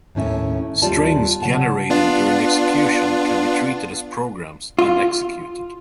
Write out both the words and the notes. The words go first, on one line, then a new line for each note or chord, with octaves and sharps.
Strings generated during execution can be treated as programs and executed.
D#2 A2 C#4 E5
D#2 G3 B3 F4 D5 A5
C#3 F#3 F#5 A5
B3 D4 F4
F4